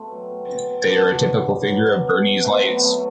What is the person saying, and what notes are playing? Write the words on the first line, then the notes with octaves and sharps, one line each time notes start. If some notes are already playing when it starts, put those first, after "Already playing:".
They are a typical figure of Bernese lights.
Already playing: B2 A3 C4
F#3
B2
B2
B2
F#3 B3 D4
F#3
F#3
B2
F#3
B2
B2
B2
B2 A3 C4
F#3 B3
B3
F#3 A3